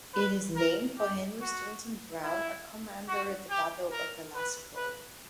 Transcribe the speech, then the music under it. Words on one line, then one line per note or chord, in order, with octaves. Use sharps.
It is named for Henry Stevenson Brown, a commander at the Battle of Velasco.
B4
A#4
G4
F#4
E4
F#4
G4
A#4
B4
B4